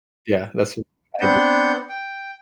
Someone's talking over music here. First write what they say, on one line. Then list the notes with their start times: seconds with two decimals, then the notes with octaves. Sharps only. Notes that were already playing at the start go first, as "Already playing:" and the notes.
Yeah, that's what I do.
1.21 B3 C4 D4 F#5 G6
1.89 G5